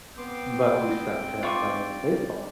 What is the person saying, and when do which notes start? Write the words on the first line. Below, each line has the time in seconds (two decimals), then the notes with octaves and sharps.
but we stuck to playing baseball,
0.18 B3 C4 G5 C6 D6
1.43 F4 D5 C#6 D6